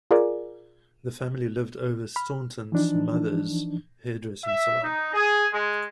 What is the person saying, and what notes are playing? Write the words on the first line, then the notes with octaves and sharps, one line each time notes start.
The family lived over Staunton's mother's hair dressing salon.
F4 G#4 A#4 D5 G#5
B5 F6
E3 F3 D4 D#4
E5
D#4
G#4
G#3